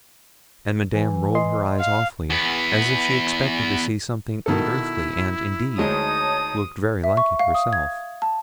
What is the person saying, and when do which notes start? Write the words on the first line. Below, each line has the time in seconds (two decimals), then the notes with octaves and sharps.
And Madame rolled her eyes awfully, as if she expected to see something unearthly, and, indeed, looked very like it herself.
0.93 E3
1.35 D#5 C6
1.79 F5
2.30 E2 B3
4.46 B2 D#3 E4 A4
5.78 D2 G#3 D#4 C#5 A5 D#6
7.04 E5
7.17 C#6
7.39 F5
7.54 D#6
7.73 G#6
8.22 A5